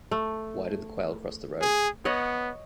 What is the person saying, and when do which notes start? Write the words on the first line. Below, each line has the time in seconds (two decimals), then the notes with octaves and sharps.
Why did the quail cross the road?
0.11 A3
1.61 G#4
2.05 B3 C#5 D#5 F#5